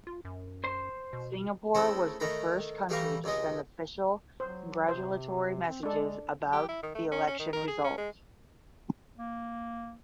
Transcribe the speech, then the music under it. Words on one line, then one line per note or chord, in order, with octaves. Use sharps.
Singapore was the first country to send official congratulatory messages about the election results.
F4
F#2
C5 C6
B2
C#3 A3 C4 E4 A4 A#4
D#3 A3 A#5 B5
E3 G3 A3 G4 F5 A#5
C#2 C3 G#3 D#5
F#3 C5
C3 C5
C4
G#3 D4 A4
G4
E4
D#3
A3
C#4
C#4
D#3
A#4
G#4
C#4
G#3
A#3